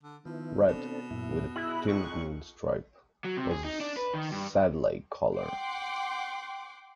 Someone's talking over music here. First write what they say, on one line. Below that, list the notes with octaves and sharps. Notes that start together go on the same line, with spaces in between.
Red, with a thin green stripe, was the Sedleigh color.
D3
D#3 F3 B3 E4
B2 C4 D4 A4
F#2 A#2 E4
E4 G#4 D#5 F#6
F2 C#6
F#3
C3
G#4
D#4
D4
B4
D#3
G2
F#5 G5 C6 D6